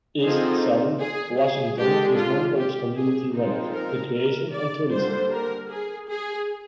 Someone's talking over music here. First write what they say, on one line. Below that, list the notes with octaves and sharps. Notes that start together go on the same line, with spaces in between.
Eastsound, Washington is known for its community events, recreation and tourism.
D3 F3 C4 D#4 G#4
G#4
G#4
D3 G#3 D4 G4
F4
G4
G#4
F3 G#3 C4 D#4
A#4
A#4
D5
D3 G3 A#3 D4 C5
A#4
G#4
G#4